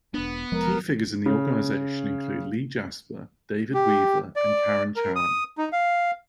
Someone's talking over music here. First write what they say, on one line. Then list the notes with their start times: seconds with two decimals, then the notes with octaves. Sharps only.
Key figures in the organisation include Lee Jasper, David Weaver and Karen Chouhan.
0.14 E1 B3 D4
0.52 F1 F3 G#3 A#4
1.26 C#3
3.74 G4
4.36 D5
4.96 A#4
5.16 D#6
5.58 D#4
5.73 F5